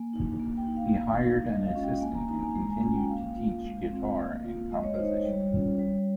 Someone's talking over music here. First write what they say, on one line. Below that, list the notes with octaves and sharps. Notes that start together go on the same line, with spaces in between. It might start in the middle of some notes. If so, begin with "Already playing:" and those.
He hired an assistant and continued to teach guitar and composition.
Already playing: A#3 G#5
D#4
A#3
G5
D#4
F5
A#3
D#4
G#3 D#5
F5
C#4 F4
G5
A#3 G#5
A#5
D#4 A#5
G#5
G#3 A#5
G#5
C#4 F4 G#5
G5
A#3 F5
F4
G#3
C4 F4
A#3
F4
G#3 D#5
C#5
D#4 C5
C#5
G3
C#4 F4
G3